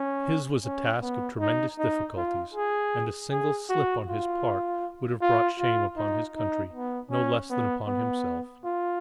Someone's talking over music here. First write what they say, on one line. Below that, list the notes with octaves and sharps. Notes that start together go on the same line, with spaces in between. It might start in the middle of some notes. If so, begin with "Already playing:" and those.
His was a task of tremendous difficulties, and a single slip on his part would have brought shame upon his country, no less than upon himself.
Already playing: C#4
C#4
B3
D#4
D#4
F4
G#4
G#4
F#4
F4
F4
F4
D#4
D#4
B3
C#4
B3
B3
F4